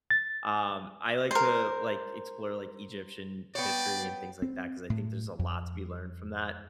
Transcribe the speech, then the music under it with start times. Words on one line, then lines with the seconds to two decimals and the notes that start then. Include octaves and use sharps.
um, I like to, like, explore, like, Egyptian history and things like that 'cause I think there's a lot to be learned from that,
0.10 A6
1.31 A#4 C5
3.55 B3 C#5 D5 G5
4.42 C4
4.90 A2
5.39 F2